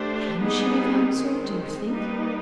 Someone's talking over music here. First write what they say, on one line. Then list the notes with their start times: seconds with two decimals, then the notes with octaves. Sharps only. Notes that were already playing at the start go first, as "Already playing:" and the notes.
"Can she be found, sir, do you think?"
Already playing: A3 D4 G4 C5
0.42 G3 B3 D#4 G#4 B4
1.14 D#3 G#3 C4
1.88 G3 A#3 D#4 G4 B4